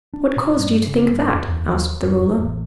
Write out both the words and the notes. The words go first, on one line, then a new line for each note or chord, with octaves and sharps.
"What caused you to think that?" asked the Ruler.
D4
A#2
G2
C#3
G2
F2
E2
D#2
F#2
F2
A1